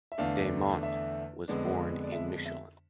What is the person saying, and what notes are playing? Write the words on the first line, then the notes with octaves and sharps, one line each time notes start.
De Monte was born in Mechelen.
E5
E2 D3 A3 D4 F5
E5
F2 D3 G#3 B3 D4
D5
E5
E5